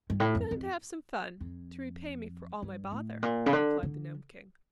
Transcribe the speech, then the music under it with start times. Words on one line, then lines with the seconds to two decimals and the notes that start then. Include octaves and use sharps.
"I'm going to have some fun, to repay me for all my bother," replied the Nome King.
0.10 G2
0.20 A2
0.35 F2
0.51 F2
1.40 F2
2.62 G2
2.92 A2
3.23 A#2
3.46 C#3
3.53 D3
3.83 D3